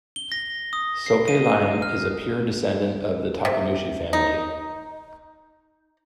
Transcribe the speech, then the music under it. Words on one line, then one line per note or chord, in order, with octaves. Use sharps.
Soke line is a pure descendant of the Takenouchi family.
G7
A#6
D#6
C7
D#7
F6
C3
D#4